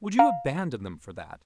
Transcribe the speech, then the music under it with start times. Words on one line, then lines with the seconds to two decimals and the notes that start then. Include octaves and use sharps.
Would you abandon them for that?
0.19 F5 A#5